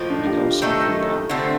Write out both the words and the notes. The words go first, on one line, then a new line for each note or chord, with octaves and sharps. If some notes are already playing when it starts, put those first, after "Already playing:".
We know something now.
Already playing: A2 F3 A#3 D#4 F4
D4
G4
F4
D#3 A3 D#4 A4
D3 A3 C4